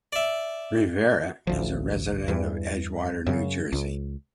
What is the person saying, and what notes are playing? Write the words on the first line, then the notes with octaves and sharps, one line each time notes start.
Rivera is a resident of Edgewater, New Jersey.
D5 E5
A1 D2 F3
E2 G2 E3
F#2 C#3
C#2